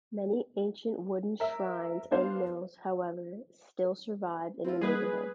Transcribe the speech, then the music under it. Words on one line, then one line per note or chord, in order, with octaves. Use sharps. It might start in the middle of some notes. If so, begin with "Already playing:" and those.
Many ancient wooden shrines and mills, however, still survive in the neighborhood.
A#4 E5
B3 D4 C5 F5
C4 E4 F4
G3 G#3 A#3 G#4 A#4 B4